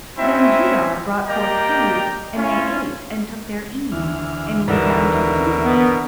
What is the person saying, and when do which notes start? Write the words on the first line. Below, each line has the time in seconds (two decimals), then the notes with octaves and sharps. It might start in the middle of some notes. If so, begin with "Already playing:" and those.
Then Judar brought forth food and they ate and took their ease and lay down to sleep.
0.18 C4 C#4 D#4 E4 F#4 E5
1.28 A#3 G4 D5 D#5 G5 A#5
2.35 C#4 E4 F4
3.92 D2 E3 F6
4.68 D#2 B2 D3 E3 A#4 E5
5.65 B3